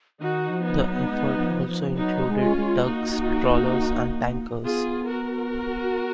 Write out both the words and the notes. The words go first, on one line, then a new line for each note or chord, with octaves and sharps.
The effort also included tugs, trawlers, and tankers.
D#3 D#4 F#4
F3
B3 D#4
F#3
G#3
F3
F3
F#3 B3 D#4
G#3
C#4 F4
G#3
A#3 D#4 F#4
B3 F4 G#4
F#4 A#4